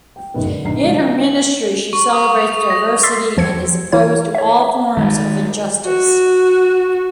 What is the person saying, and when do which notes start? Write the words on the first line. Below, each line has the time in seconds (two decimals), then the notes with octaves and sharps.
In her ministry she celebrates diversity and is opposed to all forms of injustice.
0.16 G5
0.34 F#1 B1 D#3 B3
0.46 D3
0.64 A#1 D#3 A#5 C7
0.81 C#3 G3 G#3 C#4 D4 B4
1.24 F#7
1.93 C#6
2.13 D#6
2.41 F7
2.70 A#6
3.03 C6 D6 E6 A6 B6 C7
3.37 E2 F3 G#6 C#7
3.92 E3 E4 C#5 G#6
4.35 C#5 E5
4.97 D#3 G#3
5.85 F#4